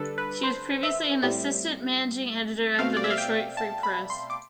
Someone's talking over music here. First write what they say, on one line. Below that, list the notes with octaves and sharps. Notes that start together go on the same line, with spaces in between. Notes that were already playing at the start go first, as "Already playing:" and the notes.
She was previously an assistant managing editor at the Detroit Free Press.
Already playing: D3 G3 D4 A4 B4
B4
C5
E5
A2 G3 C4
B2 A3 C4 F5
D5
E5
F5
G5
A5
B5
C6
D6